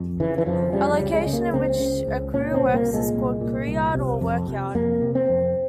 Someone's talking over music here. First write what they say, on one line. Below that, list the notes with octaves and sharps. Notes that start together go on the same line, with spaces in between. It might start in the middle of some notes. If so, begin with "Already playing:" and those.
A location in which a crew works is called a crewyard or a workyard.
Already playing: F2
C#3 E3
E3
F2 F3
C#3 G3
G3
C#2
G#3
C#3
A#3
C#2 C4
C#3
C#2
A#2 C#4
C4
C2
A#3
A#2
G#3
C2
A#2
C2
C3
F2
C3
F2 A#3
C3
C4
F2